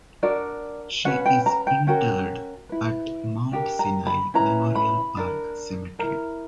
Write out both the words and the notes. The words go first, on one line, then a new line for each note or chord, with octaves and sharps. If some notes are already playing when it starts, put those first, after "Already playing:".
She is interred at Mount Sinai Memorial Park Cemetery.
D4 F#4 A#4 D5
C#4 F#4 B4 F#5
G5
A#5
G5
C#4 F#4 A#4 G5
E4 B4
D4 G4 A#4
A#5
B5
C#4 E4 B4 A#5
B5
D4 A#4
E4 A#4 A#5